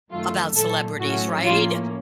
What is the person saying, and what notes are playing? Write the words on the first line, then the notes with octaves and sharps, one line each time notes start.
about celebrities, right?
F#2 D#3 F#3 A3 F4
A#2 F#3 A3 A4
A2 F#3 A3 C#4 F#4
A2 F3 A#3 C#4 F4